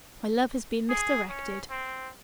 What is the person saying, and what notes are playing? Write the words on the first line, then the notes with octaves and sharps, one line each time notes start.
My love has been misdirected.
G#4
C#4
C4